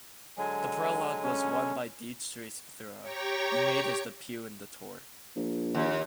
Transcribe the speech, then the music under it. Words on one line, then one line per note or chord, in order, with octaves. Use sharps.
The prologue was won by Dietrich Thurau, who made his debut in the Tour.
D3 F#3 G#3 G#5
C#4
G4 C#5 G5 A#5 C#6
A#1
D#2